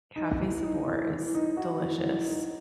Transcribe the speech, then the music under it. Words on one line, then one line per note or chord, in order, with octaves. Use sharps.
Cafe Sabor is delicious.
D#4
E3
D#4
E3
E3
D#4
F#4
E3
E3
D#4